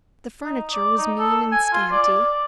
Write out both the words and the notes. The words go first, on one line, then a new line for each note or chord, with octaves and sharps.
The furniture was mean and scanty.
D#4
D5
D#4
A4
G#5
F4
D5